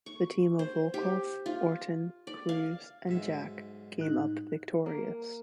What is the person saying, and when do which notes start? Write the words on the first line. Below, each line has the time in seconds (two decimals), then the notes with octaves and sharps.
The team of Volkoff, Orton, Cruz, and Jack came up victorious.
0.06 C#6
0.59 C5
0.94 G4
1.46 F4
2.27 D5
2.49 F5
3.07 B1 G#2 E5
3.98 A2 D#4 F#6
4.86 A#3